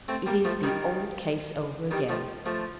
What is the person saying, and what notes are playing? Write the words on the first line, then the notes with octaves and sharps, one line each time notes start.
It is the old case over again.
A3 C4
G3 A#3
F3 A3
D#3 G3
D#3 G3
F3 A3
F3 A3